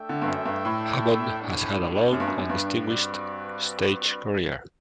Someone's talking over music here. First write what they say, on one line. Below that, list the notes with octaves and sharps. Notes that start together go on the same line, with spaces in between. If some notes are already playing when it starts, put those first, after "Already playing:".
Hammond has had a long and distinguished stage career.
Already playing: A3 D4 A4 E5 G5
D3
G2
F#2
G2
A2
G3 B3 D4 G4
F#2
G2
F#2
F#2
G2
C4 F#4 B4 D5